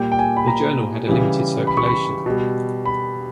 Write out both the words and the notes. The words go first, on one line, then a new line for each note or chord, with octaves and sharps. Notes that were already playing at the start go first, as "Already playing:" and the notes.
The journal had a limited circulation.
Already playing: A#2 G3 G5
G5
G#5
B5
A#5
C#3 E3 G3
B5
C#6
B5
B2 G3
B5